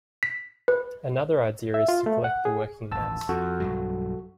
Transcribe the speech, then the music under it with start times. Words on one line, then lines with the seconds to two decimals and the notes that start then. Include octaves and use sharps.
Another idea is to collect the working mass.
0.23 B6
0.68 B4
1.74 E5
1.88 F4
2.06 A3
2.24 F#5
2.45 G#4
2.92 D#1 A1 A5 E6
3.29 F2 F#4 A4
3.60 B1 G2 F#3